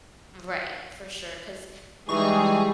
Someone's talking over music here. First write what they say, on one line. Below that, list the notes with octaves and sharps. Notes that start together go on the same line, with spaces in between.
Right. For sure, 'cause
E3 G3 G#3 D#4 G#4 C#6